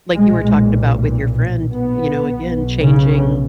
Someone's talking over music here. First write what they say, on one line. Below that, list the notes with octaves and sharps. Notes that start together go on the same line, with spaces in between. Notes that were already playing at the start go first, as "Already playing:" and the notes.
like, you were talking about with your friend, you know, again, changing
B1 A#2 G#3
B3
B1 B2
C#3